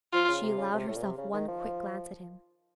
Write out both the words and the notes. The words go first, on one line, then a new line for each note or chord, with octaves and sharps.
She allowed herself one quick glance at him.
F3 F4
C#3
C3
C#3
C3
A2
A#2
C3
C#3
D#3
F3